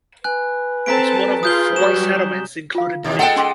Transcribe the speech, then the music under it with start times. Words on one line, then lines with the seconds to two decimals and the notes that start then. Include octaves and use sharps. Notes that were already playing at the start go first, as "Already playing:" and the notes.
It is one of the four settlements included in it.
0.24 B4 G#5 F#6
0.86 C4 A4 A5 A#5 B6 D7
1.43 F4 G#4 D#6 G6 G7
1.76 F#3 G3 E7
2.75 F4 F5
3.04 D#2 B2
3.19 G#3 A4 F#5 G5
3.36 C#4 C6 D6